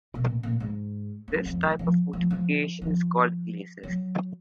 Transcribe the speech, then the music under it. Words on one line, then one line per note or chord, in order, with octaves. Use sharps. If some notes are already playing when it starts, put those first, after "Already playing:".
This type of fortification is called glacis.
B2
A#2
A#2
G#2
F#2
F2
D#3
F3
F3
F3
F3
F#3